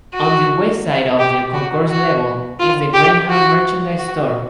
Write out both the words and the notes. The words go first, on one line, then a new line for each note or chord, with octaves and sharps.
On the west side of the concourse level is the Greyhound merchandise store.
F#4
G4
F#4
F#4
F4
G4
F#4
F#4